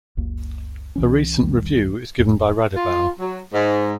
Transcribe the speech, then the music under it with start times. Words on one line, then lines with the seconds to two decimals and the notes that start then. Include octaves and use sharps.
A recent review is given by Radebaugh.
0.17 F#1 C#2 A#3
0.96 C2 E3 C#4
1.41 B1 E2 D#3 G3
2.19 D#1 F2
2.76 F4
3.19 F#3
3.53 G#2